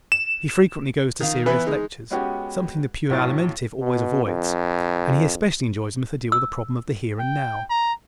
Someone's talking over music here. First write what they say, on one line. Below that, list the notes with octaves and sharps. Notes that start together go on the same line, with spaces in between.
He frequently goes to serious lectures--something the pure Alimentive always avoids--and he especially enjoys them if they deal with the problem of the here and now.
E7
D#3 F5
E3 B3 B4 E5
G#3 D#4
G#3 B3 C#4 F#4 G4
B1 A2 F#3 A6
B2
F2
E6
G5
A#5